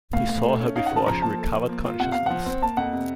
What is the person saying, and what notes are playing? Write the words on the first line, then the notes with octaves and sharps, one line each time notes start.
He saw her before she recovered consciousness.
A2 F5
A2
A3
C#4
D#4 F5
F#5
C#3 A5
F3 A#5
A#3 A5
A4
F3
A#3
F4
C3 F#5
C3 F5
F3 F#5
C4
A#3 A5
F2 F#5
C3